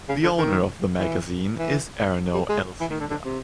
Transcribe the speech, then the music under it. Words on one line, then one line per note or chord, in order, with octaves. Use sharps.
The owner of the magazine is Erno Elsinga.
C#3
D3
D#3
E3
E3
G3
G#3
E3
D#3
D3
D3
C3